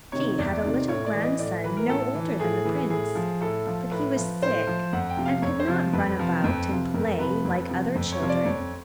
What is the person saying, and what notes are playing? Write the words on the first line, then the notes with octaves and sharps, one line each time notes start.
She had a little grandson no older than the prince, but he was sick and could not run about and play like other children.
C3 D#3 C#5
E2 D5
C3 D#3
A2 C#5
D5
E3
D#5
A2 D5
E3 B4
A#4
A2 A4
E3
A2 G#4
E3
A2 G#4
F3
A2 A4
F3
A2 B4
F3
A2 C5
F3
F2 F#5
G5
C3 F3
F5
F2 C#5
C5
C3 F3
F2 B4
C3 F3
F2
C3 F3
F2 A#4
C3 F3 B4
F2
C3 F3
F2
C#5
C3 F3
D5
F2 C#5